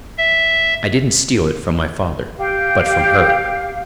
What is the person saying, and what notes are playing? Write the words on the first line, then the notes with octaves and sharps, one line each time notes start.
I didn't steal it from my father, but from her.
E5
G4 F5